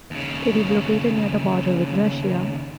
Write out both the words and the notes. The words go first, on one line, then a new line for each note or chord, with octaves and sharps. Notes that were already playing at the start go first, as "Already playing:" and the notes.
It is located near the border with Russia.
D#2 C#3